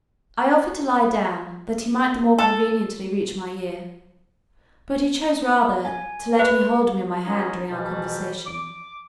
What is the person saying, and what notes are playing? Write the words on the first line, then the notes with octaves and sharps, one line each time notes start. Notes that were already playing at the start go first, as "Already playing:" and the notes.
I offered to lie down that he might the more conveniently reach my ear, but he chose rather to let me hold him in my hand during our conversation.
A4
G#5
B4
B2 F#3 C#4 D#4 F4 G#4
F2 G#2 B2 E3 F3 G3
D6